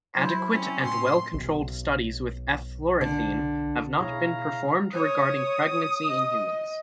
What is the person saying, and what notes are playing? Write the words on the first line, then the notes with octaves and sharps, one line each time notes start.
Adequate and well-controlled studies with eflornithine have not been performed regarding pregnancy in humans.
F#3 E4 C5
C4 C#4
A2 C6
B1
D3
B2 E4 G#4 C#5 F5 A#5
C#5 D#6
D#5